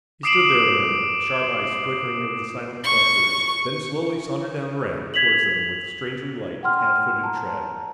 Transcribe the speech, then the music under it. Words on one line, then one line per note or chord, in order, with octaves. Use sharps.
He stood there a moment, his sharp eyes flicking over the silent clusters, then slowly sauntered down the ramp toward them with a strangely light, catfooted tread.
D6 D#6 C7 D7 E7 F#7
C#6
G#6 B6 F7 F#7
F#5 G5 C6 F6
A5 A#5